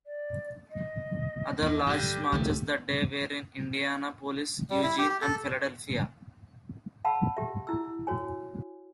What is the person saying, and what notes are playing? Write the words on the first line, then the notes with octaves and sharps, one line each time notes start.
Other large marches that day were in Indianapolis, Eugene, and Philadelphia.
D5
D#5
E2 D#3 D#5
G2 D3 G4
C#2 D#3 A3
G3
E4
G4
G4
A4
F5 F#5 A5 B5 E6
G4 E5
E4 E6
F#4 C#5 G#5